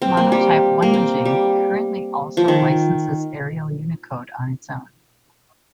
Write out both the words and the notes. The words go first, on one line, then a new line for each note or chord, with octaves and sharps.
Monotype onemaging currently also licenses Arial Unicode on its own.
C4
A#3
G3
A#3
C4
G3
F3
D#3